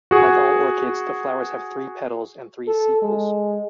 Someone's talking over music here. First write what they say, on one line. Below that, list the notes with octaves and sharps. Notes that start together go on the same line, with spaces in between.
Like all orchids the flowers have three petals and three sepals.
F#4 G#4
A4
G#3